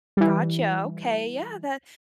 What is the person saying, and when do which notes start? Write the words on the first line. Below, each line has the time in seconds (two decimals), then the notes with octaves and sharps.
Gotcha. Okay, yeah! That
0.17 E3 G3